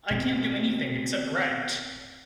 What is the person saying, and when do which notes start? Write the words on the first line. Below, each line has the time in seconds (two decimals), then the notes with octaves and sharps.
I can't do anything, except write.
0.11 B2 G#3 C4